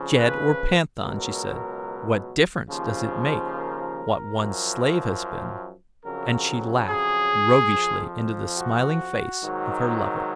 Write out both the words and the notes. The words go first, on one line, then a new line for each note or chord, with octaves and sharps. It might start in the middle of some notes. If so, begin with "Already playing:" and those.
"Jed or panthan," she said; "what difference does it make what one's slave has been?" and she laughed roguishly into the smiling face of her lover.
Already playing: F2 C#3 F3
B4
C#2 B2 F#3 A#4
D#2 C#3 F3
A#4
F#2 F3
F2 C#3 F#3 A#4
G#4
F2 F3
F#4
G#2 D#3 F#3